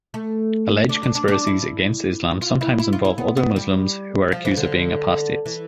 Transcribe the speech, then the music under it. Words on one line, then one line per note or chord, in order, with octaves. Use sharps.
Alleged conspiracies against Islam sometimes involve other Muslims who are accused of being apostates.
A3
D4
D4
D4
D4
E4
F4
E4
E4
F4
E4
B3
B3
G3
F3
E3
D3
E3